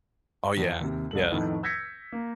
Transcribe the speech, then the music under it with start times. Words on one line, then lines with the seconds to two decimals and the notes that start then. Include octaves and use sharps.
Oh, yeah. Yeah.
0.57 E2
0.81 D#2 C3
1.11 C2 A4 F#7
1.30 F2 A2 D#3 A3 B3 D#4
1.63 E6 G6 G#6 A#6 B6 C#7
2.12 A#3